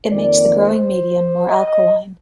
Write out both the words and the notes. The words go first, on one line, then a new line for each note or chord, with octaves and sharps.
It makes the growing medium more alkaline.
F2 D#3 A#3 D5
C5
D#5